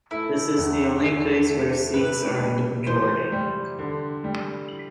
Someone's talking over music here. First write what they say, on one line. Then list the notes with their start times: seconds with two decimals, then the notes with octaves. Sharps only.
This is the only place where Sikhs are in the majority.
0.11 A3 E4
0.57 E2
1.02 E2
1.48 A3
1.94 C3 B4
2.40 G3
2.86 E3 C5
3.32 G3
3.79 D3
4.24 G3